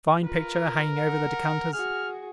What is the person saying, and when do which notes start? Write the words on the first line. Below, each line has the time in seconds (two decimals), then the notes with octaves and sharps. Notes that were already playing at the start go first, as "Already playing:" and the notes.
Fine picture hanging over the decanters.
0.24 F4 A#4 B4
0.97 F#5
1.73 F#4 G#4 F6